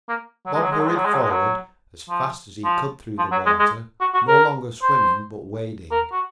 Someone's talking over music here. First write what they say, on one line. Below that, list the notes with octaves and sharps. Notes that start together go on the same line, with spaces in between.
Bob hurried forward as fast as he could through the water, no longer swimming, but wading.
A#3
F#3
G#3
F#3
G#3
F#3
G#3
F#3
G#3
F#3
G#3
F#3
F3
F3
F3
F#3
G#3
G#3
F#4
F#4
A#4
C5
A#4
F#4